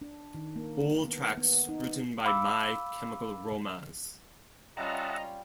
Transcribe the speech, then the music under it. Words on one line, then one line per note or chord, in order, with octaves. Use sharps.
All tracks written by My Chemical Romance.
D4
D#3
A#3
B3
B3
D#4
F5 B5 D6 E6
G3 C#4 F4 D#5 E5 F#5 A5 A#5